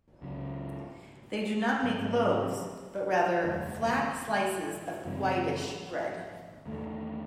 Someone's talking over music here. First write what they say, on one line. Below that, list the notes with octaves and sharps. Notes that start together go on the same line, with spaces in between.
They do not make loaves, but rather flat slices of a whitish bread.
C#2 C#3 F#3
G#2 F#3 C4
F#1 E2 D#3 G#3
F#2 C#3 E3 C4
E2 D#3 A3